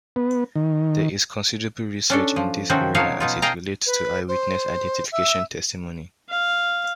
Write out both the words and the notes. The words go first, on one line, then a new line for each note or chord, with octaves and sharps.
There is considerable research in this area as it relates to eyewitness identification testimony.
B3
D#3
C#4 D4 A4
F3
C3 D#3 F3 C4 C#4 F#4
B2 F3 F#3 D#4 C#5 F5
B2 D#4 F4
G#4 F5 G5 A5 A#5
B4
C5
E5
F5